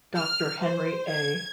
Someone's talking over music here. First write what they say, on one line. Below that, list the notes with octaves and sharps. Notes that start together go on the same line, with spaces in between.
Doctor Henry A.
F6
C5
G#6